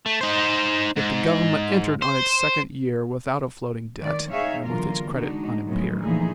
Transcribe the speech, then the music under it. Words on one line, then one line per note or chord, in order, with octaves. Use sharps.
Yet the Government entered on its second year without a floating debt and with its credit unimpaired.
A3
D#4 C5
G#2
C5
D#3 D5
D#4 G#4 C#5 E5 F5
E2 D3 F#3 A#3 F4 A#4
G#3 D4 D#4 F#4
A2 D#3 F3 F#3 G#3 B3
A#2 D3 E3 F3 D#4 G#4